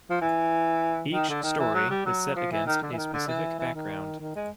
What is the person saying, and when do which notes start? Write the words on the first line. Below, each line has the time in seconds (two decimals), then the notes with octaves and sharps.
Each story is set against a specific background.
0.10 F3
0.21 E3
1.12 D#3
1.29 D3
1.43 D#3
1.59 E3
1.74 F#3
1.90 G3
2.05 F#3
2.36 F3
2.51 E3
2.66 D#3
2.82 D3
2.92 E3
2.97 D#3
3.13 D3
3.27 E3
3.58 E3
3.74 D#3
4.20 D#3
4.35 G#3